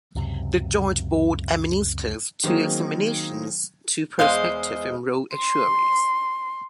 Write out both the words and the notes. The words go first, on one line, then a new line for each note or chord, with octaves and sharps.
The Joint Board administers two examinations to prospective Enrolled Actuaries.
C#2 F#2 C3
D#3 F#3 A#3 C4 D#4 G#4
E2 F#3 G#3 C5 D#5 F5
C6